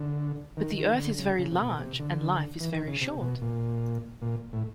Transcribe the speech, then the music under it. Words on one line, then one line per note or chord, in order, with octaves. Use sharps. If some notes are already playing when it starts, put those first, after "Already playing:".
But the Earth is very large, and life is very short!
Already playing: D3
D#3
D#3
D3
C#3
C#3
C3
B2
C3
D3
E3
D#3
C#3
C3
B2
A#2
A#2
A2